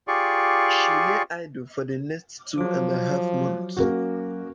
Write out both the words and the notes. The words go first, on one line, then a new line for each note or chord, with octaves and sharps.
She lay idle for the next two and a half months.
F4 G4 G#4 D5 C#6
F3 F#3 D6
A#3 C#4 F#4